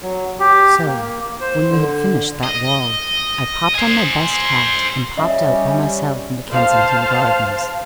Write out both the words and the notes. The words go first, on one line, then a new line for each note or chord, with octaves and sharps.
So, when we had finished that wall, I popped on my best hat, and popped out by myself into Kensington Gardens.
F#3
G4
A#3
C5
D3
D#5
C5 G#5
G3 C#4 D#5 E5
C5 F5 A5